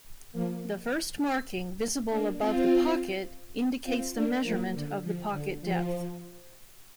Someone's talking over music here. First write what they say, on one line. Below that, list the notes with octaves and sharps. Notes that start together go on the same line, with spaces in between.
The first marking visible above the pocket indicates the measurement of the pocket depth.
F3 A#3
A#3 D4
C4 F4
C4 F4
A#3 D4
F3 A#3
D3
F3
D3
F3